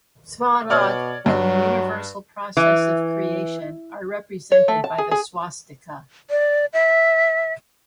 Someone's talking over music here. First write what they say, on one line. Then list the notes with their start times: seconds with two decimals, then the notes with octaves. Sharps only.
Svarog and the universal process of creation are represented by the "swastika".
0.70 B2 C#5 D5 F6
1.26 G2 F#3
2.57 E3
4.52 C#5
4.68 A3
4.84 A5
4.98 G#4
5.11 G#4
6.30 D5
6.74 E5